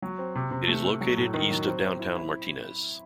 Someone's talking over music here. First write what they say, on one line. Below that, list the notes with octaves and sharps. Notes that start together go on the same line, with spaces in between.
It is located east of downtown Martinez.
F#3
C4
C3
C3
A3
A3
F#3
A2
D#3
F#3
C4
C4
E4
E4